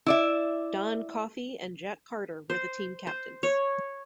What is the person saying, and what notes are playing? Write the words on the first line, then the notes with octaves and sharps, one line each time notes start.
Don Coffey and Jack Carter were the team captains.
E4 D5 E5
C5
C5
C#5